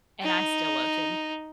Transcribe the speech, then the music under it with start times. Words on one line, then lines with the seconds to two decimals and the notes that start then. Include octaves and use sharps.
and I still loved him,
0.22 D#4